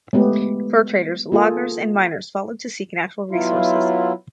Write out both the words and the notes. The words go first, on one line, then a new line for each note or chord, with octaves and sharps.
Fur traders, loggers and miners followed to seek natural resources.
G#3 A3 B3 G4
A#3 F4 G#4 A4
B2 F#3 E4 F4